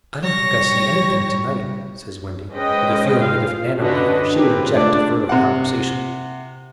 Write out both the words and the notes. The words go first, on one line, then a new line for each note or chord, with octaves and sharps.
"I don't think I see anything to-night," says Wendy, with a feeling that if Nana were here she would object to further conversation.
G3 C#5 C#6 A#6
G#3 C#4 B4 C5 D#5 G5
F4 F5
D3 C#4 D4 F#4 B4 D#5
A#3 C4 F4 G4 G#4 B4
G#3 A3 D4 D5
C3 F#5